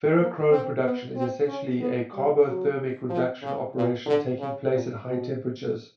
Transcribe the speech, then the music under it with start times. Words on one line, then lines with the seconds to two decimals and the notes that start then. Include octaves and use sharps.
Ferrochrome production is essentially a carbothermic reduction operation taking place at high temperatures.
0.18 A#3
0.51 C4
0.83 B3
1.16 C4
1.47 C#4
1.80 B3
2.13 G3
2.45 F#3
3.09 F3
3.42 C#3
3.74 A#2
4.06 D3
4.39 C#3
4.71 A#2
5.04 B2